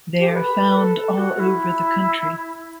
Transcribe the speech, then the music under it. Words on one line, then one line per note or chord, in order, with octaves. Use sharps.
They are found all over the country.
G4
A4
B4
A4
A4
F#4
E4